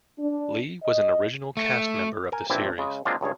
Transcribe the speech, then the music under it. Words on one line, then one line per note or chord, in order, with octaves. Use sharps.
Lee was an original cast member of the series.
D4
D#5
A3
A#4 G#5
A#1 G2 E3 C4 E4 D5
C#3 G#3
F#3 G#3 A#3 C4 D4 F4
C#2 G2 G#4 C#5